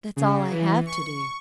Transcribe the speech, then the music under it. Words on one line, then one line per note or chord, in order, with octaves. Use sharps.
That's all I have to do.'
C#3
E3
C#6